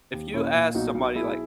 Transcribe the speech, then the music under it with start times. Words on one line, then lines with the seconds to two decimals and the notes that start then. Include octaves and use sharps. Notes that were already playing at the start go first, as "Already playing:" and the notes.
If you ask somebody, like
0.13 D#2
0.34 A#2 C#4 E4
0.54 A#2
0.75 B1 D#4 F#4
0.95 B1
1.15 B1 E4 G#4